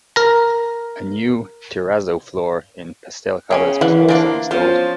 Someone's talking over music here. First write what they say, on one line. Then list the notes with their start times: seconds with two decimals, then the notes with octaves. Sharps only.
A new terrazzo floor in pastel colors was also installed.
0.16 A#4 A#5
3.51 C#3 C#5 G5 G#5
3.81 E3 D5 F5 F#5
4.09 E3 F3 A#3 D4 D5 F#5
4.51 F3 B3 C#4 F4 C5